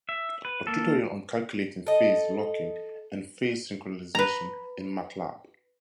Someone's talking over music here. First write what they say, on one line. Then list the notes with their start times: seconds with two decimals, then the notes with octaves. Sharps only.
A tutorial on calculating Phase locking and Phase synchronization in Matlab.
0.09 E5
0.45 B4
0.67 A#3 A4
1.87 A4 D#5
4.15 B4 A#5